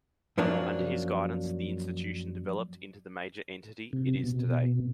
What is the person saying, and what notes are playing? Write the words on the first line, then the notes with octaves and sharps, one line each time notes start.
Under his guidance, the institution developed into the major entity it is today.
F#2 F3 F#3 A#3 D4
C3
B2